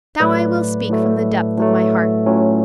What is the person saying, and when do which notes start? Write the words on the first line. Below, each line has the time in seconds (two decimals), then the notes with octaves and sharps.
But now I will speak from the depth of my heart.
0.20 A2 F#3 A3 B4 D5
0.89 A2 F#3 A3
1.58 A2 F#3 A3
2.26 A2 F#3 A3 C#4 F4